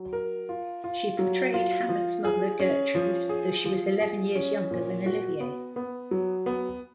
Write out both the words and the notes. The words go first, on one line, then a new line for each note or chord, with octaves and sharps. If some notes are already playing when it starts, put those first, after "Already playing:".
She portrayed Hamlet's mother, Gertrude, though she was eleven years younger than Olivier.
Already playing: F#3
A#4
F4
F4
F#3
F4
F3
G#4
C#4
F3
G#4
F3
G#4
C#4
A#2
F#4
B3
B3
F#3
B3